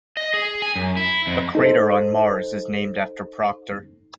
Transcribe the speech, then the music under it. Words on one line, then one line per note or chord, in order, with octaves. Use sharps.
A crater on Mars is named after Proctor.
D#5
G#4
G#5
F#2
E4
F2
D#4 A4 C5